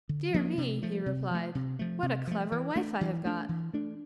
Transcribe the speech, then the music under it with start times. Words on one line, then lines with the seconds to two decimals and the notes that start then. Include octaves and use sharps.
'Dear me!' he replied, 'what a clever wife I have got!
0.09 D3
0.34 F3 A#3 D4
0.58 C3
0.83 F3 A3
1.06 C3
1.31 F3 A3
1.55 C3
1.79 F3 A3
2.03 C3
2.27 F3 A3
2.52 E3
2.76 A3 D4
3.01 E3
3.25 A3 D4
3.49 E3
3.73 A3 D4